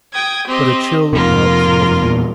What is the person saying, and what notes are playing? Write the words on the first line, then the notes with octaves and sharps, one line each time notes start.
But a chill of doubt came over him.
G5 D#6 G#6
C4 G4 D#5
F2 C3 A#3 F4 A#4
E2 A#2